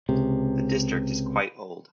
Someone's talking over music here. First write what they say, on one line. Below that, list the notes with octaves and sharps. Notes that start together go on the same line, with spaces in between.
The district is quite old.
C#2 C3